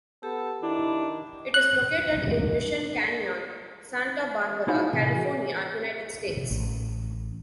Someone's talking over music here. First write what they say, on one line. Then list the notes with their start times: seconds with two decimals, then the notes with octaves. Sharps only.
It is located in Mission Canyon, Santa Barbara, California, United States.
0.23 B3 G4 A4
0.63 D#3 D4 E4
1.54 F#6
4.68 D#4 E4 F#4 G#4 C5 C#5
4.93 A2 C3 E3 G#4
5.13 F#4 G#4
6.51 A1